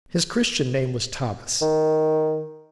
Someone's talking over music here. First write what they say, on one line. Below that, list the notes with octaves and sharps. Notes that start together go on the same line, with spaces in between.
His Christian name was Thomas.
D#3